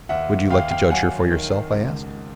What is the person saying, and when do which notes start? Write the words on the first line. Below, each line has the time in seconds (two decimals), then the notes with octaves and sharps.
"Would you like to judge for yourself?" I asked.
0.09 D#2 E5 F#5
0.50 D#2 F5 G5
0.70 F5 G5
0.91 F#3 F#5 G#5
1.31 D#3
1.72 C#2